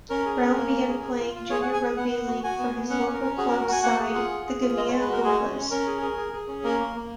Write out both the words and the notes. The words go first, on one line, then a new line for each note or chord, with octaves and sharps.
Brown began playing junior rugby league for his local club side the Gymea Gorillas.
C#4 A#4
G#4
C#4
A#3
C#4
G#4
G#4
F4
F4
G#4 C#5
F#5
G#4
G#5
G#4
B3 F#5
B3
F#4
F#4 G#5
B3
B3
C#4 F#5
C#4
A#4
C#4
F#4 G#4
A#4
F#4
A#4
F#4 G#5
A#3 F#5
G#4
F4
G#4
G#4
F4
G#3 D#5
C#5
G#3
B4
F#4 A#4
G#3 G#4
C#4
C#4
C#4 A#4
G#4
G#4
G#4
G#4
C#4
A#3 A#4
A#3
A#3